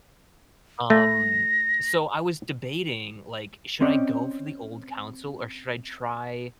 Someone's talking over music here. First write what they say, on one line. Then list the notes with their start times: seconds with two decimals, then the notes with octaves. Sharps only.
Um, so I was debating, like, should I go for the old console or should I try
0.90 A3 A#6
3.81 C4 C#4 D5 D#5